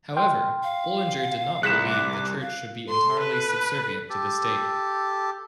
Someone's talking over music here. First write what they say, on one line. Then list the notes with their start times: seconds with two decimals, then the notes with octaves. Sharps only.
However, Bullinger did not believe the church should be entirely subservient to the state.
0.17 G5 C6 F6
0.63 F5
1.63 C2 G#4 F#6 B6 E7
1.88 D6
2.41 F5
2.89 A4 C6
3.19 B4
4.10 G4 A4